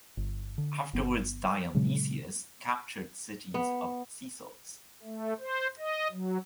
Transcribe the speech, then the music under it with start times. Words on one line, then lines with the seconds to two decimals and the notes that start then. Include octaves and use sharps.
Afterwards Dionysius captured cities of Sicels.
0.17 G1
0.58 D3
0.93 G1 B3
1.75 A#2 C#3 F#3 G#3
3.54 B3
5.03 A3
5.40 C5
5.78 D#5
6.11 F#3